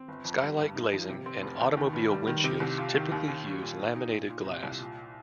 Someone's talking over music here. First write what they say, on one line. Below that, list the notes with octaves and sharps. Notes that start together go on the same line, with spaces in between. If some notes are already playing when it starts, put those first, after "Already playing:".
Skylight glazing and automobile windshields typically use laminated glass.
Already playing: C4
G1
F2
G3
G2
D#4
F3
C3
C4
F1
D#2
D#3
F1
G3
D#3
C3
C2
F4
D#3
D#2
D#2
G3
A#2
D#4
D#4
A#2
A#2
C3
C2
A#2